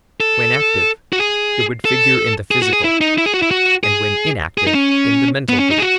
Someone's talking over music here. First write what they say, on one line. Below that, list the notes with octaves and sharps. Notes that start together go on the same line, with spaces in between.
When active, it would figure in the physical, and when inactive, in the mental group.
A4
F#4
G#4
A4
G#4
F#4
G#4
E4
D#4
E4
G#4
F#4
E4
F#4
G#4
G#4
D#4
C#4
B3
C#4
D#4
G#4
F#4